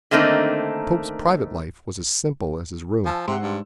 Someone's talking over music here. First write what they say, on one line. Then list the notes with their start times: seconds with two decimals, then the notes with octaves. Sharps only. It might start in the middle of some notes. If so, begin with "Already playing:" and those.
The Pope's private life was as simple as His room.
0.11 D3 D#3 A3 A#3 C4 D#4
3.06 F3 G#5 A5 E6
3.28 G#2 C3 F#5 C6
3.42 G2